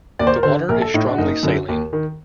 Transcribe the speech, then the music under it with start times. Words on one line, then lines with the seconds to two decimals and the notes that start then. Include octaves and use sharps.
The water is strongly saline.
0.19 D#2 D5
0.27 C5
0.35 A#4
0.43 D3 C5
0.69 A#1 A#4
0.82 A4
0.94 A2 D#4
1.07 D4
1.13 F#4
1.18 F#1 D#4
1.43 F#2 D3
1.69 D#2
1.93 D#3